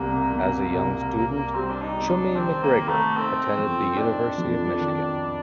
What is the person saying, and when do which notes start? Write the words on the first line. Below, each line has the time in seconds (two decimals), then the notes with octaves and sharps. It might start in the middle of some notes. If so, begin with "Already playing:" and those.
As a young student, Chummy MacGregor attended the University of Michigan.
Already playing: C2 C3 G3 A#3
0.33 C3
0.73 C2
1.15 C2
1.54 G3 C4
1.70 D4
1.82 D#4
1.96 C3
2.09 D4
2.36 D#3 C4
2.63 A#3
2.76 D#3
2.89 A3
3.16 C4 D#4
3.57 F2
3.97 D4 D#4
4.38 F2
4.78 D#3